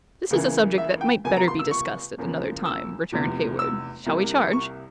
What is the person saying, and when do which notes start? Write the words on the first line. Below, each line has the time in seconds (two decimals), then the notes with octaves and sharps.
"This is a subject that might better be discussed at another time," returned Heyward; "shall we charge?"
0.30 C#2 C#3 E3 A#3
0.78 E5
1.01 G5
1.24 C#2 C3 F3 A#3 G#5
1.36 A#5
1.48 C6
1.59 E6
1.71 C#6
2.18 E2 C#3 F3 A#3
2.65 E6
3.12 F1 E2 C3 F3
3.59 E6
4.06 C2 C3 G3 A#3
4.53 C#6